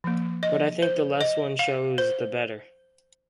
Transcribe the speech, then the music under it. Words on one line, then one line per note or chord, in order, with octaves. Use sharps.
But I think the less one shows the better.
F3 A#3
D#5
C5
D#5
F5
C5